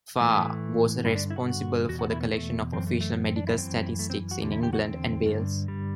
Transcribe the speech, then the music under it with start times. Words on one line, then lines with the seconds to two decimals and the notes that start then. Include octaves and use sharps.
Farr was responsible for the collection of official medical statistics in England and Wales.
0.20 A2 E3 A3
1.04 G2 D3 E4
1.15 D4
1.30 E4
1.36 F#4
1.89 E2 F#4
1.93 B2
1.99 F#4
2.10 E4
2.20 B3
2.31 A3
2.73 F#2 E3 C4
2.87 A3
3.01 A3
3.15 B3
3.26 C4
3.36 D4
3.47 E4
3.57 F#2 E3 C4
3.99 A3
4.10 C4
4.31 F#4
4.41 E2 D3 G4
4.52 E4
4.63 G4
4.73 F#4
4.84 C4
5.26 G2 D3
5.68 G3